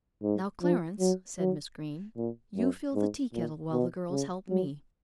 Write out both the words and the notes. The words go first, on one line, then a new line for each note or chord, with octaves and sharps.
"Now, Clarence," said Miss Green, "you fill the teakettle while the girls help me."
G#2
F3
F#3
F#3
A#2
F#2
G#2
A#2
B2
C#3
F#3